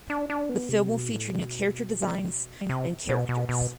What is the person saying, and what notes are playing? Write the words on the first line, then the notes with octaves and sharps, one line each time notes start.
The film will feature new character designs and characters.
D4
D4
B3
C3
B2
A2
B2
C3
B2
B2
B2